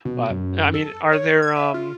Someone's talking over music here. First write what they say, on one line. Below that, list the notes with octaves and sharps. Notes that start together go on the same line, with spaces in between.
but I mean, are there, um
B2
F#2
A4
C#5
G#6
E5
F4